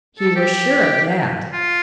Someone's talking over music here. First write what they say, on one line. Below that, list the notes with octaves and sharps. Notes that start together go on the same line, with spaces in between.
He was sure of that.
A4
G4
F4